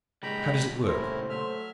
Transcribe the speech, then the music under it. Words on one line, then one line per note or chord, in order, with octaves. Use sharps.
"How does it work?"
A#2 C#3 G3 G#3 G5 A#5 B5
A2 A3 E4 A#4 C5
F#3 A3 E5 F6